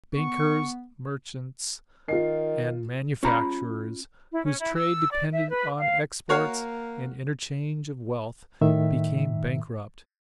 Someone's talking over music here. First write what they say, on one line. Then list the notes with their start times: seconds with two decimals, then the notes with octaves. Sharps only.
Bankers, merchants, and manufacturers, whose trade depended on exports and interchange of wealth, became bankrupt.
0.15 B3 C#6
2.08 D#3 F4 C7
3.23 C#4 F4 A#5 B5
4.31 E4
4.45 C#4
4.59 E4
4.75 E6
5.11 D5
5.31 E5
5.50 B4
5.78 F5
6.29 A#3 F#4 C#5 F5
8.61 A2 D#3 E5